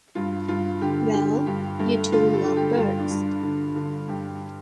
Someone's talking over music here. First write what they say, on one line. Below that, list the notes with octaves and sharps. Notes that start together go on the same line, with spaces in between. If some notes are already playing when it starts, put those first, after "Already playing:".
Well, you two love birds.
G2 F4
G2 F4
D3 G4
D3 G4
G2 G4
G2 A3
D3 F4
A4
D3
G4
G2 F4
D4
G2
D3
D3
G2 G4